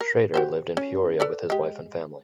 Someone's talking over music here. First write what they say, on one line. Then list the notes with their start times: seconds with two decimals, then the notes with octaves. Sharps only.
Schraeder lived in Peoria with his wife and family.
0.01 A#4
0.34 F#4 G4 C5
0.77 C#4
1.20 A4 B4 D5
1.50 G#3 G4